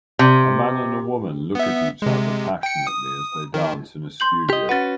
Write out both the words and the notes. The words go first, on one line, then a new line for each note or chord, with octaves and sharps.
A man and a woman look at each other passionately as they dance in a studio.
C3
B3 E5
C3 G#3
G5 C#7
D#6
D#3
C6 G6 F#7
G4 D#5
C#4 F#4 B4 F#5 A6